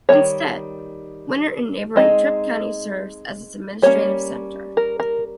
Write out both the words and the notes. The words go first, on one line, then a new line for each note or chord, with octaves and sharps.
Instead, Winner in neighboring Tripp County serves as its administrative center.
D#3 G3 C#4 C#5
G#3 C4 D#4 D#5
G3 A#3 C#4 C#5
A#4
A#4